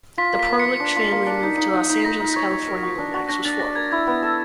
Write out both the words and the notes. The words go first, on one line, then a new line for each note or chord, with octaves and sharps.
The Perlich family moved to Los Angeles, California when Max was four.
F4 B6
A#3
B6
A#3
B6 C#7
F4
D4
F4
A#3
D4
D#4
D#4
D#4
D#4
B6
D#4 A#6
D#4
C#5
C#5
A#4
F#4
D4
F#4
D4 A#6
D4 A6
D4 A#6
A#4 G#6
E4 G#6
B3
A4